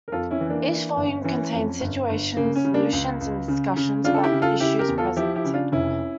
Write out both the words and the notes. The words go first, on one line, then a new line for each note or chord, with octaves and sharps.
Each volume contains situations, solutions, and discussions about the issues presented.
A#4
F2 F4 A4
C#4 E4
E3
A#3 D4
E3
G1
E3 C#4
F2
G1
G1
C#3 A#3
C#4
C#3
A#3 D4
C#2
C#2
C#3
C#3
C#3 D4 F4
A4
E4 G4
C#3
F4 A4
C#3 E4 G4
G4 A#4
E2
F4 A4
F3 E4 G4
E4 G4
C#3
D4 F4
F1 C#4 E4